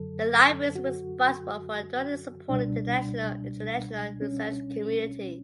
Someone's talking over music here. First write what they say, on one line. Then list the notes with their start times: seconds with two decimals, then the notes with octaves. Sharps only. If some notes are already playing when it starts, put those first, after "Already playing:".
The library is responsible for directly supporting the national and international research community.
Already playing: F#2 D3 F#3 A4
0.75 F#4
2.49 C#2 B2 G3 D4
4.22 C#4